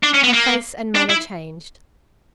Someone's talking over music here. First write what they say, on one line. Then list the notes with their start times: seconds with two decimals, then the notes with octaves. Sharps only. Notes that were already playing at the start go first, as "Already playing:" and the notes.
Her face and manner changed.
0.03 D4
0.14 C#4
0.23 B3
0.33 A#3
0.95 D4
1.10 E4